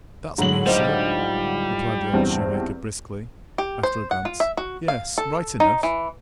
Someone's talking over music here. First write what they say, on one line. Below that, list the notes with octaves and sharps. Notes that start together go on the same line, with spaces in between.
"That's me, sir!" replied the old shoemaker briskly, after a glance. "Yes--right enough!"
A2 D3 F#3 G#3 A#5 F#7
G3 D#4 F4 C5
E2 G2 C4
G4
C5
F#5
F4
E5
F#4
F5
A4
D#4
E3